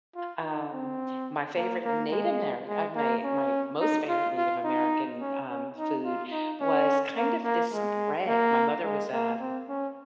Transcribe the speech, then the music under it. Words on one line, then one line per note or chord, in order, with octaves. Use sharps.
Um, my favorite Native Amer uh, may my most favorite Native American, um, food was kind of this bread my mother was, um,
F4
D#4
C4
A#3
A#3
G#3
G#3
A#3
C#4
D#4
F4
F4
D#4
C#4
C#4
D#4
F4
D#4
C#4
A#3
A#3
G#3
A#3
G#3
A#3
C4
C#4